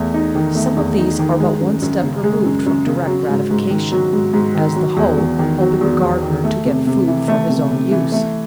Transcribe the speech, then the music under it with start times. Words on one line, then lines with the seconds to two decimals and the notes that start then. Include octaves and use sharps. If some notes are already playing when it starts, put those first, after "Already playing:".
Some of these are but one step removed from direct gratification, as the hoe helping the gardener to get food for his own use.
Already playing: E2 A3
0.14 D#4
0.35 D#3
0.55 A3
0.77 E2
0.98 D#4
1.19 D#3
1.40 G#3
1.61 F#2
1.82 F#2
2.03 C#3
2.23 G#3
2.45 F#2
2.66 F#2
2.87 C#3
3.07 F#3
3.29 G#2
3.50 G#2
3.71 D#3
3.92 F#3
4.13 G#2
4.33 G#2
4.55 D#3
4.76 F#3
4.97 E2
5.18 E2
5.39 D#3
5.60 F#3
5.81 E2
6.02 E2
6.23 D#3
6.44 A3
6.65 C3
6.87 C3
7.07 E3
7.28 A3
7.49 C3
7.71 C3
7.91 E3
8.12 A3